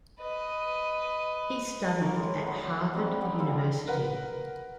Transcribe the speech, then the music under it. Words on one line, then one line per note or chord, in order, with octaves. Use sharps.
He studied at Harvard University.
B4 D#5
D#3 E3 A#4
A2 G#3
F#3 B3 D4 D#5
G3 C4 D#4 A5
G3 B3 C#4 G4
G3 F4 A4
A#4 B4 F#5